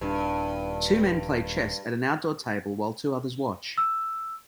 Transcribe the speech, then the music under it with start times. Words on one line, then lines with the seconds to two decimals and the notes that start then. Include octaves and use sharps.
Two men play chess at an outdoor table while two others watch.
0.01 D#1 G2 D4
3.78 E6